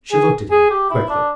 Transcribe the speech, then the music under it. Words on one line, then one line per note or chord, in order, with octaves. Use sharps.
She looked at him quickly.
G#4
G#4
G4
E4
D4